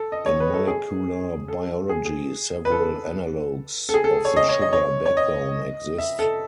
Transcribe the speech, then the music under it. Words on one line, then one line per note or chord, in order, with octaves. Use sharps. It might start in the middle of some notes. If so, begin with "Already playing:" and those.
In molecular biology, several analogues of the sugar backbone exist.
Already playing: A4
D#5
C#5
B4
A4
G#4
A4
G#4
G#4
B4
A4
A4
G#4
A4
C#5
D#5
C#5
D#5
C#5
C#5
D#5
E5
A4